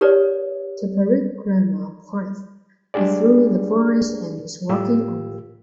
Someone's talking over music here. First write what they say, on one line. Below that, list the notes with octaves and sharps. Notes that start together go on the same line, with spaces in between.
The parikrama path is through the forest and is walking only.
G4 A#4 B4 C#5 D5
G#3 D4 G4 G#4 D5
A2 F4 G4 E6